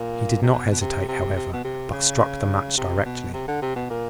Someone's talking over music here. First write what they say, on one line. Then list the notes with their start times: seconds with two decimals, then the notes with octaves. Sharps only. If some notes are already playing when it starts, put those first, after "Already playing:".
He did not hesitate, however, but struck the match directly.
Already playing: A#2
0.43 C3
0.53 B2
0.71 B2
0.81 C3
1.08 C3
1.36 C3
1.53 B2
1.64 C3
1.93 C#3
2.77 C3
3.06 B2
3.34 C3
3.48 D3
3.62 C3
3.76 B2
3.90 A#2